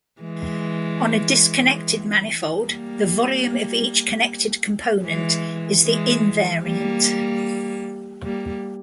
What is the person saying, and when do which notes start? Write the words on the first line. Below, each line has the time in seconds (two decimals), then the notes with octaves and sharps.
On a disconnected manifold, the volume of each connected component is the invariant.
0.22 E3 G#3
2.62 G3 A#3
5.03 E3 G#3
5.83 E3 G#3
6.63 G3 A#3
8.24 G3 A#3